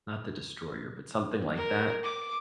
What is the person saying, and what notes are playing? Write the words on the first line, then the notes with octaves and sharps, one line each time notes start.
not the destroyer but something like that.
A#4
D6